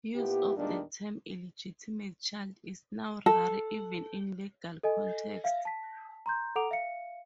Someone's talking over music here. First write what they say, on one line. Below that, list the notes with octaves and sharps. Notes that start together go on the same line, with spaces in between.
Use of the term "illegitimate child" is now rare, even in legal contexts.
A#2 B3 E4 G4
E2 A#2 D#3 G3 G#3 D4
A4
A4 D#5 G#5
E5 F5
A5 B6
A#5 C6 G6
A4 F#5 A#5 D6 D7 F7
E5 F5 C#7